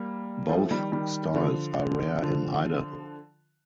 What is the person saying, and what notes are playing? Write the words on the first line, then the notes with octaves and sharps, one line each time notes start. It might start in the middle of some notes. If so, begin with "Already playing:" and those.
Both styles are rare in Idaho.
Already playing: G3 A#3
F3 A3
D#3 G3
D#3 G3
D3 F3
D3 F3